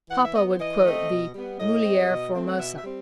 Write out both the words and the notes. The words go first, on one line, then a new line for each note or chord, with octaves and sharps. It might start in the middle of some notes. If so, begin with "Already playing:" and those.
"Papa would quote the 'mulier formosa'".
E3 F#5
E5
B3 D#5
C5
E3 D#5
A3 C4
B2
G3 B3
A2 D#5
G3 C4
B2
A3 C4
F#5
B2 E5
E5
G3 C4